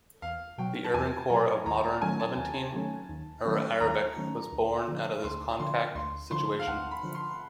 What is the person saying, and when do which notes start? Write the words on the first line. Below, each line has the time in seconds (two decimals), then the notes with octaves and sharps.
The urban core of modern Levantine Arabic was borne out of this contact situation.
0.22 E2 F5
0.58 B2 F#3 G5
0.84 A5
0.94 E2 G#5
1.30 B2 F#3 A#5
1.66 D#2 A#5
1.84 A#5
2.02 D#3 F#3 A3 C#4 G#5
2.20 A5
2.37 D#2
2.73 D#3 F#3 A3 C#4
3.09 D#2
3.45 D#3 F#3 A3 C#4
3.80 D#2 A#5
4.17 D#3 F#3 A3 C#4
4.52 D2
4.88 D3 F3
5.24 D2 C6
5.60 D3 F3 C6
5.95 D2 C6
6.31 D3 F3 C6
6.59 F5
6.67 D2 F#5
6.91 B5
7.03 D3 F3
7.15 C6